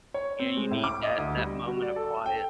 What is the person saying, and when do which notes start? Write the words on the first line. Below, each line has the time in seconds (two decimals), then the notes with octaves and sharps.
You know, you need that that moment of quiet.
0.14 C#5
0.39 C4
0.57 G#3
0.71 A2
0.84 D6
1.03 D#5
1.18 D2
1.37 G3
1.67 F#4
1.82 D5
1.96 A4
2.26 G5